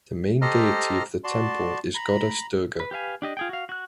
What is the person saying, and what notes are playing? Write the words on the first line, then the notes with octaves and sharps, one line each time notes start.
The main deity of the temple is Goddess Durga.
G4 A4 C5 D#5 A#5 F6
F#4 D5 A5 C6
A#5 B5
B4
G4 B4 F5 G#5
D4 G4 D#5
F4 G#4 G5
F#4 F5
F#4 F#6